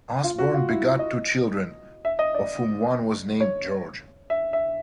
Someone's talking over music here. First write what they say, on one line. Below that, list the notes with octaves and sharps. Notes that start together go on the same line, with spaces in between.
Osborne begot two children, of whom one was named George.
F4
F#4
F4
E4
D#5
E5
D#5
D5
C#5
E5
E5